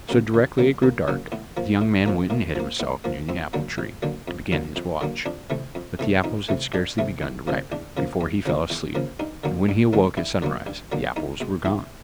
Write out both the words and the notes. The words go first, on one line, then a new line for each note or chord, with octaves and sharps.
So directly it grew dark the young man went and hid himself near the apple tree to begin his watch, but the apples had scarcely begun to ripen before he fell asleep, and when he awoke at sunrise the apples were gone.
C#3 F#3 A#3
D2
C#3 F#3 A#3
D2 A#3
C#3 F#3 A#3
A2 B3
F3 A#3
A2
F3 A#3
A2 A#3
F3 A#3
A2 B3
F3 A#3
F2 C4
D3 F#3 A#3
F2
D3 F#3 A#3
F2
D3 F#3 A#3
F2
D3 F#3 A#3
F2 D4
C3 E3 A3
F2
C3 E3 A3
F2 D#4
C3 E3 A3
F2 D4
C3 E3 A3
E2
C#3 F3 A#3
E2 D4
C#3 F3 A#3
E2
C#3 F3 A#3
E2
C#3 F3 A#3
G2 D#4
D3 F#3 A#3
G2
D3 F#3 A#3
G2 E4
D3 F#3 A#3
G2
D3 F#3 A#3
E2 D#4
B2 G#3
E2 E4